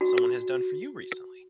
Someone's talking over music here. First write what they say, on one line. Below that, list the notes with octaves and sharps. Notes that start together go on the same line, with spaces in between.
someone has done for you recently?
F#4